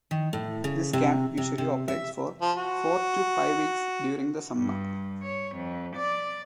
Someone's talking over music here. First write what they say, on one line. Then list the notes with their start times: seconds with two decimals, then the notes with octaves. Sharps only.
This camp usually operates for four to five weeks during the summer.
0.11 D#3
0.33 A2
0.64 C#3
0.93 C3
1.38 C3
1.58 C3
1.88 E5
2.41 F3
2.56 F#4
4.56 G2
5.23 C#5
5.56 F2
5.96 D5